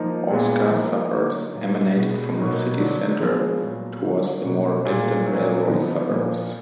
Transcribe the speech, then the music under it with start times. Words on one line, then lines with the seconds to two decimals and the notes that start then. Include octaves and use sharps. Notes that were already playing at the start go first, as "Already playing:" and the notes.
Horsecar suburbs emanated from the city center towards the more distant railroad suburbs.
Already playing: F3 A#3 D#4
0.30 A#2 G#3 B3
0.71 F3 A#3 D#4
1.13 D3 F#3 A#3 D#4
1.54 A#2 F#3 A#3
1.96 B2 G#3 B3
2.37 B2 F#3 A#3 D#4
2.78 D3 F#3 D4
3.20 F3 G#3 B3 D4
3.60 A#2 F#3 B3
4.02 D3 F#3 D4
4.43 B2 A#3 D4
4.85 A#2 G#3 D4
5.26 A#2 F#3 D4
5.68 D3 F3 B3 D#4
6.09 A#2 F3 A#3 D4